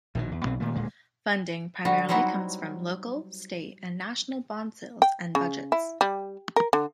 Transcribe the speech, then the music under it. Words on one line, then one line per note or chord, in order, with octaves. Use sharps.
Funding primarily comes from local, state, and national bond sales and budgets.
A#1 B2 D3 D#3
E2
B1 B2 C4
A#2 D#3 A3
D1 A#2 G#3
D3 G3 F#4
F#3 G3 C4 D#4 E4 F#4
G5
C#3
E4
G3
A#4
D3